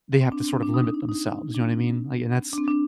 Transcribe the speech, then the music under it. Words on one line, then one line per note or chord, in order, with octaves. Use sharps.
they have to sort of limit themselves, you know what I mean? Like, and that's
C4
D4
C4
D4
D#4
D4
D#4
D#4
D#4
D4
C4
D4
C4
D4